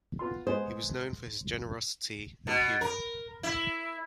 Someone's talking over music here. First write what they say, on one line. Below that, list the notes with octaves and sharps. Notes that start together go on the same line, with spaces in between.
He was known for his generosity and humor.
B3 F4 C6
G#3 B3 G#4 C5
B2
A#4
E4